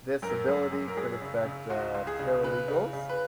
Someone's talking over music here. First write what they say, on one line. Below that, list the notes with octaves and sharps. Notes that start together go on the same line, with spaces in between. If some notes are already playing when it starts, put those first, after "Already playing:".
this ability could affect, uh, paralegals
F#2 A#4
F#2
F#2
A#4
F#2 G#4
C#3
C#3
C#2 F#4
C#2
G#4
C#3
C#3 B4
C#3
C#3
B4